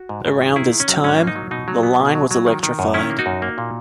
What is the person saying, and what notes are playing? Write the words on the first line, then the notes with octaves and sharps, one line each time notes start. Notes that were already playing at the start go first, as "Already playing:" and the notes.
Around this time, the line was electrified.
Already playing: F#4
G#2
G#2
D#3
D#3 E4 G#4
D#3
C#4
F#3
G#2 C#4
A#3
D#4
F#3
B2 D#4
F#3
B3
B2
F#3
F#3
D#3
D#3
F#2
D#3 C#4 E4
A#3
D#4 F#4
F#2
A#3
A#2